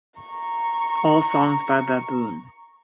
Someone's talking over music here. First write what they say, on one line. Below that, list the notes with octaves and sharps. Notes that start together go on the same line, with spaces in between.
All songs by Baboon.
A#5 C#6